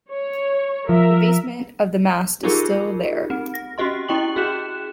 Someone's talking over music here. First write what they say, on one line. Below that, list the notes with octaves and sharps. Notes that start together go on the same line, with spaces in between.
The basement of the mast is still there.
C#5
F3 A#4 E5
D#4 F4 G4 G#4 A#4
C4
A#6
C#4 F#4 G4 D#5 C6
C#4 E4 D#5 G5 C#6 F#7
F#4 G#4 F#6 E7